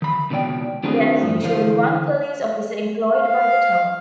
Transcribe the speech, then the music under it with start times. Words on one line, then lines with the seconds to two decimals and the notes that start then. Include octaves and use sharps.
There is usually one police officer employed by the town.
0.02 D#3 B5
0.30 C#2 B2 D#3 A#4 D5 G5
0.84 D#3 A3 C4 D4 F#4 G#4
1.22 E2 G2 F3
1.41 D2 E3 D4 C5 F5
3.16 F5